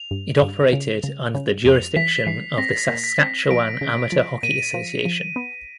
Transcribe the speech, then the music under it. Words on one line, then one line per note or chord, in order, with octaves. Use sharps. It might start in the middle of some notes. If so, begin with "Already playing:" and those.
It operated under the jurisdiction of the Saskatchewan Amateur Hockey Association.
Already playing: F7
G2
G2
C#3
C#3
C#3
F2 F7
E3 B6
E3 C7
C4 A#6
A#2
B6
C4
F3 D7
C#3
F3
A#2 D#7
F3
F3
B3